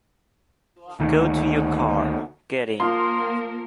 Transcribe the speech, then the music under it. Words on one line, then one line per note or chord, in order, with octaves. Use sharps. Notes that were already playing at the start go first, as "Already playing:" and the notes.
Go to your car, get in.
D2 D#3
F3 A#3 F4 A#4 C6